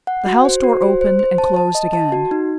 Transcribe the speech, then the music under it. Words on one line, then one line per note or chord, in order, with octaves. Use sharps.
The house door opened and closed again.
F#5
F#4
C5
F#4
C5
C5
C5
A5
A5
D#5
A5
F#4
D#4